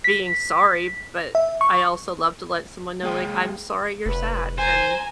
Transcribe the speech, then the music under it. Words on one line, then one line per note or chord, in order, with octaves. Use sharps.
being sorry, but I also love to let someone know, like, "I'm sorry you're sad," and
B6
E5
C#6
G#3 A#3 G#4 G5
F1 B4
C5 G#5 A#5